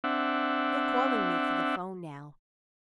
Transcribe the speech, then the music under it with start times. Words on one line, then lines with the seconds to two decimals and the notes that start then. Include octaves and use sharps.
They're calling me for the 'phone now.
0.04 C4 D4 E5 F#5